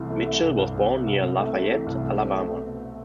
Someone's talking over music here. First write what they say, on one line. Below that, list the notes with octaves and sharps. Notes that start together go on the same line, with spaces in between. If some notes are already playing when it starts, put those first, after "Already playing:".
Mitchell was born near Lafayette, Alabama.
Already playing: C2 C3 E3 A3
A3
A3
C2
C2
C3
C3
C2
C3
A3
A3
E3
C2
A3
C4
A3
B2
B2